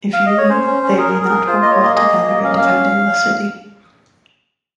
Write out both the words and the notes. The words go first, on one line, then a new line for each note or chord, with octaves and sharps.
If you leave, they may not work well together in defending the city.
F5
D#5
C#5
C#4 C5
C#4
C#4
G#4 A#4
G#4
A#4
G#4
F4 C5
A#3 D#5
C#5
A#3 D#5
G#4 D#5
A#3
A#3
C#4 F5
D#5
C#4 F5